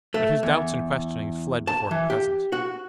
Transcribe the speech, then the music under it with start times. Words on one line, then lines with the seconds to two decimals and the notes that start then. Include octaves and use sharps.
But his doubts and questionings fled before her presence.
0.14 A3
0.43 E2
1.67 A5
1.91 E3
2.10 G4
2.52 F#4